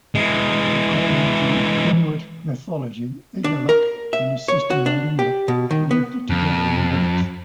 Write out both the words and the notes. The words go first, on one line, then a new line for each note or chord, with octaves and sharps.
According to Inuit mythology, Igaluk and his sister Malina lived together in a village.
E3 G#3
D4
A#4
E5
C#5
F#4
D4
G4
B2
D#3
B3
F2